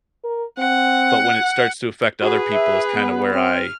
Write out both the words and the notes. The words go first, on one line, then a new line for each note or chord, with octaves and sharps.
but when it starts to affect other people is kinda where I
A#4
C4 F#5
F#4 G#4 B4
E5
B3
C4 F6